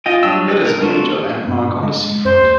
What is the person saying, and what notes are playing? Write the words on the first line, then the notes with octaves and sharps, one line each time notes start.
It is a major landmark on the seafront.
F4 D#5 G5
F#3 G3 D4 E6
G#3 B4
A#4 F6
B3 D4 F4 F#4 A4
G2
G#3
F#2 C5
D#2